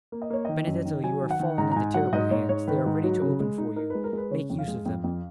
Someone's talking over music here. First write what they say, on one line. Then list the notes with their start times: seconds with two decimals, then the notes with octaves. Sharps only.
Benedetto, you are fallen into terrible hands; they are ready to open for you--make use of them.
0.12 A#3
0.22 D#5
0.30 A#3 C#5
0.45 D#3 D#5
0.67 F#2
0.85 D#3
1.03 F#3 G#5
1.22 D#3
1.31 F#5
1.40 D#3
1.58 G#2 A#5
1.72 A#5
1.76 G#2 G#5
1.94 F#3 F#5
2.13 G#2 D#5
2.31 G#2 C#5
2.49 G#2 C#5
2.67 D#3 B4
2.86 G#2
3.04 F#3
3.21 C#3
3.40 G#3
3.58 D#4
3.76 D#4 A#4
3.90 G#3 B4
4.04 A#4
4.13 G#3 B4
4.31 C#3 C#5
4.50 F2
4.59 F5
4.68 G#3
4.86 F2
5.04 F2